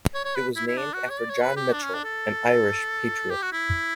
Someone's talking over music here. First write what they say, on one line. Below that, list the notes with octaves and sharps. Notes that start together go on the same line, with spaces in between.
It was named after John Mitchel, an Irish patriot.
C#5
C#5
B4
E4
E4
D4
F#4
C#5
D5
C#5
B4
G4
D4
C#4
D4
A4
G4
F#4
E4